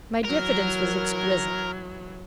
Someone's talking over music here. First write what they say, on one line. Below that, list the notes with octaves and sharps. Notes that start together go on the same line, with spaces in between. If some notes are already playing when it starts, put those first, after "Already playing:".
My diffidence was exquisite.
E3 F#3 A#4